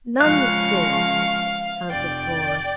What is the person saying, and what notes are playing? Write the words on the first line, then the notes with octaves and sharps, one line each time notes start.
'None, sir,' answered Flora.
C#3 F3 G#3 F5 C#6 F#6
F1 D5 G5